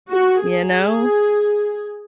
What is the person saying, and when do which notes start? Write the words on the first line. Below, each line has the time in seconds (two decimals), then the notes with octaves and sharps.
You know?
0.10 F#4
0.43 G#4